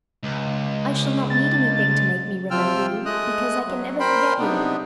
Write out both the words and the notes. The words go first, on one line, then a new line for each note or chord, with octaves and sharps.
I shall not need anything to make me remember you because I can never forget you.
C#2
A6
C3 F3 F4 G5 E6 F6
G#3 A3 D#5 D#6 F#6
F#3
A#4 C5 G5 B5 C6
C3 B3 D4 D#4